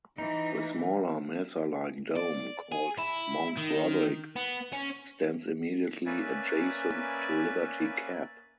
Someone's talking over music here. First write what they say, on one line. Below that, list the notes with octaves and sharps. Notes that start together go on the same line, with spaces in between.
A smaller, mesa-like dome called Mount Broderick stands immediately adjacent to Liberty Cap.
E3 D#4
D5
G#4
E4
D#3
B3
C#4
A#3 C#4 B4 D5 E5 G#5